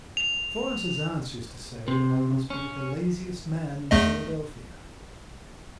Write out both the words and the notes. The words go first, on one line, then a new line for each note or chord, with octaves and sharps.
Florence's aunts used to say that I must be the laziest man in Philadelphia.
F7
C3
C#4
E2 A3 D#5